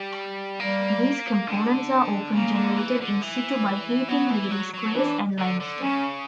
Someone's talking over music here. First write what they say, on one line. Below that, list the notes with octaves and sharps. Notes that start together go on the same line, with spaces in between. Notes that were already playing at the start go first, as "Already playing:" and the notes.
These components are often generated in situ by heating various clays and limestone.
Already playing: G3
G3 A#3
D3
C#3 A#3
D3
E3
D3
E3
F#3 B3
E3
F#3
F#3
E3 D4
D3
D3
C#3 C#4